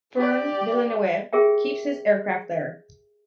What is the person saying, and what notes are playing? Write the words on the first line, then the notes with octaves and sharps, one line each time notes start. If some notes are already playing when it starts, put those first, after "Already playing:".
Fern Villeneuve keeps his aircraft there.
G4 D5
G4 G#4 A#4 E5 G5